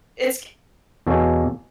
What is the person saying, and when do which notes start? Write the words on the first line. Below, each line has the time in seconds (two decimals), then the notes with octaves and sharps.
it's g
1.07 E2 B2 A4 C#5 F5 G#5